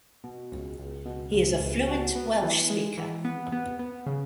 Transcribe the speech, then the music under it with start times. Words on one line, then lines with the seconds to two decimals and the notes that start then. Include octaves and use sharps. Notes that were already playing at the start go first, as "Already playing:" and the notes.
He is a fluent Welsh speaker.
0.24 B2
0.52 C#2
0.79 C#2
1.06 B2
1.34 C#2
1.60 C#2
1.88 F#4
2.15 B3
2.43 E3
2.70 G#3
2.97 E3
3.25 B3
3.52 B3
3.79 B3
4.06 C#3